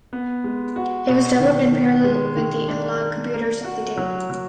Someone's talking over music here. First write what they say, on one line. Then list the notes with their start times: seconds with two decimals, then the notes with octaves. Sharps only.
It was developed in parallel with the analog computers of the day.
0.13 B3
0.44 G#3
0.76 F#4
1.09 B2
1.40 D#3
1.72 D#3
2.04 G#3
2.36 D#3
2.68 D4
3.01 A#4
3.33 A#4
3.64 F#4
3.98 F#3
4.30 F#3